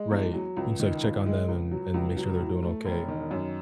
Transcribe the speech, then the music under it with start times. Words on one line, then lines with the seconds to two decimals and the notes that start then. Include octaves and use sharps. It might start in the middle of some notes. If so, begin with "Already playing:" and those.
Right. You can just like check on them and and make sure they're doing okay
Already playing: G#3
0.11 E2
0.34 F#3
0.57 C#2
0.80 D#3
1.03 C#2
1.26 G#3
1.48 C#2
1.72 F#3
1.94 C#2
2.17 F#3
2.40 A2
2.63 A3
2.85 E1
3.08 D#3
3.31 F#2